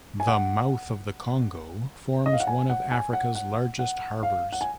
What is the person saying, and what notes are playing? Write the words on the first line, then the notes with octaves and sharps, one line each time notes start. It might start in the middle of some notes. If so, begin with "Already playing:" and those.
The mouth of the Congo forms one of Africa's largest harbours.
G#5
F#5
D#5
F5
F#5
G#5
F#5
G#5
F#5
F#5
F#5
F5
F#5
G#5